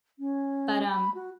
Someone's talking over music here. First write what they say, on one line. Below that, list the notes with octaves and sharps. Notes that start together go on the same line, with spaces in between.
But, um,
C#4
B5
F#4